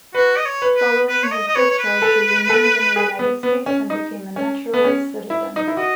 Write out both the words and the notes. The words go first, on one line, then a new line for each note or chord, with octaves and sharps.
Following his discharge, he remained in the United States and became a naturalized citizen.
F#4 B4
D#5
C#5
B4
B4
B4
C#5
D#5
D#5
B4 C#5
C#5
B4
A4
A4
G#4
B3
B3
C#4
D#4
C#4
B3
C#4
E4
D#4
E4
F#4 D#5